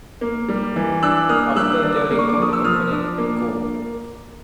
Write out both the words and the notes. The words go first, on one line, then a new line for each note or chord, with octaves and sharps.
After their record company Go!
A#3
G3
E3
D4 E6 F#6
A#3 D#6 F6
G3 E6 F#6
D4
A#3
C#6
D6
F3 D#6
E6
F3 D#6 F6
D4
A#3